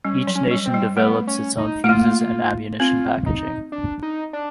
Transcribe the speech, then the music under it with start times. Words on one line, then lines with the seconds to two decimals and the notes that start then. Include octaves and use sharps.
Each nation developed its own fuzes and ammunition packaging.
0.04 G3 C#4
0.27 F#3
0.35 C#4
0.51 G3
0.66 C4
0.74 G3
0.97 A3 B3
1.27 C#4
1.58 D#4
1.84 A3
1.88 A#3 F4
2.80 C4 F4
3.26 D#4
3.72 D4
4.03 D#4
4.33 D4